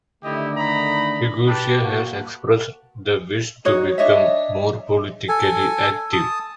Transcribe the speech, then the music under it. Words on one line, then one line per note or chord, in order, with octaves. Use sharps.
Higuita has expressed the wish to become more politically active.
D3 D#3 A3 E4 G4 D#5
D#4 A#5 B5
G4 B4 A5
A#3 F#4
D#4 F#4 C#5
D4 C#5 D#5 E5
A4 G#5
A5 D#6